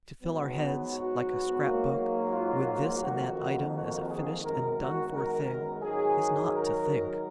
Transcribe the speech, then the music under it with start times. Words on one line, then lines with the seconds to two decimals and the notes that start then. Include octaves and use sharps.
To fill our heads, like a scrapbook, with this and that item as a finished and done-for thing, is not to think.
0.21 G#2 F#3 B3
0.91 F#4
1.62 G#2 F#3 A#3
2.32 F4
3.01 F2 D#3 A#3 F#4
3.72 F#4
4.07 G#4
4.42 F#2 D#3 G#3 B3 A#4
4.77 F#4
5.13 A#4
5.82 G#2 D#3 F#3 G#4
6.52 A#4